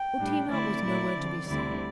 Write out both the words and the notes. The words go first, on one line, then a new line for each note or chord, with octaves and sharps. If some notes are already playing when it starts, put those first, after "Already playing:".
Outina was nowhere to be seen.
Already playing: G5
A2 G3 D4
D3 A3 C4 E4 D5
A#2 A3 E4
D3 F3 C4
D2 D3 G3 C4 E4 D5